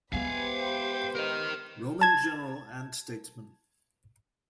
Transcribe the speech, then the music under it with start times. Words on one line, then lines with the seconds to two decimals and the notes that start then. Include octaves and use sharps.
Roman general and statesman.
0.13 G#3 B3 G4 B4 C5 E5 F5 G#5
0.59 G5
1.15 A#4 D#5 F6
2.01 A5 G#6